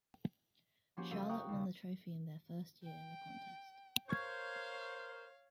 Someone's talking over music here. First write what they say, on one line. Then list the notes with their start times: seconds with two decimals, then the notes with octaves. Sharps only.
Charlotte won the trophy in their first year in the contest.
0.97 F3 A#3 C#4 F#4 G4 C5
1.10 F#1 A4 F5 G6 D#7
1.29 G5 A#5 C#6 D#6 F#6
1.49 D#2 C#3
2.84 G5
4.09 A#4 C5 C#5 F5 C#6 G#6